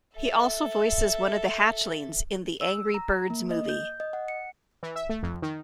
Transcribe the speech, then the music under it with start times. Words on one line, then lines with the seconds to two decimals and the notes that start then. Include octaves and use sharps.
He also voices one of the Hatchlings in "The Angry Birds Movie".
0.15 A4 E5
2.61 E6
2.94 A#5
3.30 A#3
3.51 D#5
3.69 G6
4.00 D#5
4.13 F#5
4.28 C#7
4.83 E3
4.96 E5
5.09 A3
5.23 F2
5.42 D#3